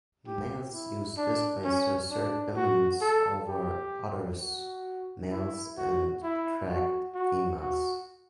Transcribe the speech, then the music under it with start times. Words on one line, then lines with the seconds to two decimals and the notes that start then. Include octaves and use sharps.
Males use displays to assert dominance over others males and attract females.
0.27 G4
0.72 E4
1.18 D4
1.65 C#4
2.10 D4
2.56 F#4
3.01 A4
3.48 G4
4.40 F#4
5.31 E4
5.78 F#4
6.23 E4
6.69 F#4
7.15 F#4
7.60 F#4